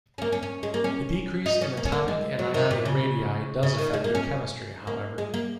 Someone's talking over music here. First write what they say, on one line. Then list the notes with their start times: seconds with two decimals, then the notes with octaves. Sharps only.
The decrease in atomic and ionic radii does affect their chemistry, however.
0.18 C#4
0.22 A#3
0.32 C#4
0.43 C#4
0.63 G#3
0.74 A#3
0.84 C#4
1.46 D#4
1.61 C#4
1.77 A#3
1.85 C#4
1.92 A#3
2.08 G#3
2.39 F#3
2.54 D#3
2.71 A#2
2.85 C#3
3.63 C#3
3.78 D#3
3.94 G#3
4.04 A#3
4.15 C#4
4.87 A#3
5.18 G#3
5.34 A#3